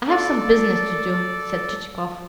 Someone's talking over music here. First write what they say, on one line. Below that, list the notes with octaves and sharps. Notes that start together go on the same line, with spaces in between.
"I have some business to do," said Chichikov.
A4 D5